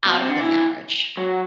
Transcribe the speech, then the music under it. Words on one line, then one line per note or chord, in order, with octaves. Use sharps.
out of the marriage?
B2
C3
D3
E3
F#3